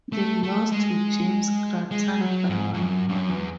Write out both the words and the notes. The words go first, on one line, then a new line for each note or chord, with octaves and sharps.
They lost to James Grattan by one point.
A3
A3
G#3
G#3
F#3
G#2
G#2
F#2
F#2
E2